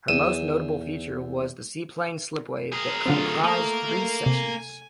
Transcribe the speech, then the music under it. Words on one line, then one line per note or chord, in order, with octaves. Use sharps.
Her most notable feature was the seaplane slipway that comprised three sections.
E2 D#7 E7
G#4 A#4
D3 F#3 A3 C4 F4
A3 A#3 A#4 C#6 D#6
A3
C3 G#5